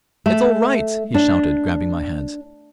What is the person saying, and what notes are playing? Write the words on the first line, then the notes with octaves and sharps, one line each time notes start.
"It's all right!" he shouted, grabbing my hands.
A3
D4